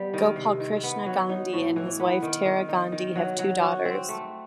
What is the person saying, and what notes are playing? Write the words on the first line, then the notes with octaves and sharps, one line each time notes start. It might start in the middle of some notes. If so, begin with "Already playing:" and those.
Gopalkrishna Gandhi and his wife Tara Gandhi have two daughters.
Already playing: G3 B3
D#3
C3
D#3
B3
F#3
D#4
A2
E3
B3
D#3
D#3
D#4
D#3
F#3
F#3
F#4
C4
A3